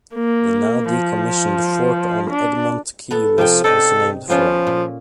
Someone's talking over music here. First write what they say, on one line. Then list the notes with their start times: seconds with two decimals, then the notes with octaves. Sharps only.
The now decommissioned fort on Egmont Key was also named for him.
0.15 A#3
0.91 F3
2.30 D4
3.11 B3 A4
3.38 C3 F3 C4 G5
3.64 D#4 A4 D5 D#5
4.29 F3 B3 C#4 F4
4.67 A#2